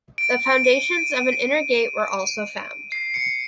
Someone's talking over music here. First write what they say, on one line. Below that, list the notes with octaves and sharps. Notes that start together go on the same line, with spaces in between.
The foundations of an inner gate were also found.
D7
D#7
D7
C7
C#7